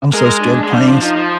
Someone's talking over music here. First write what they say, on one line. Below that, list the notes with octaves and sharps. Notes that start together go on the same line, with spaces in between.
I'm so scared of planes.
G#3 A#4
D4
G#3
G3 D4
F3
F3 D#4
F3